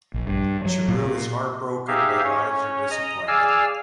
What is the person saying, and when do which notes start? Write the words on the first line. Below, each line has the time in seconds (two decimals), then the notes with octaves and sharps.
Charu is heartbroken but hides her disappointment.
0.14 A#1
0.27 G2
0.65 F#3
0.88 A#2
1.88 D#4 G4 G#4 E5 F5
2.24 C#4 C#5
2.90 D#5 A#5 D#6
3.27 G#4 D5 F5 G#5 E6 F6